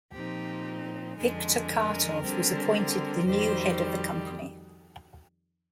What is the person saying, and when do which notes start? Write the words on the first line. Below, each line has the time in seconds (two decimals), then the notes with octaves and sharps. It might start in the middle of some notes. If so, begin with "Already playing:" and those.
Viktor Khartov was appointed the new head of the company.
0.13 A#2 F3 C4 D#4 G4
1.17 F2 D3 G#3
1.69 A#4
2.21 D3 G3 C4
3.26 F2 D#3 G3 C5